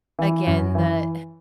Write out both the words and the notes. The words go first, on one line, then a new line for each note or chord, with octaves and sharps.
again, the
E3
F#2
E3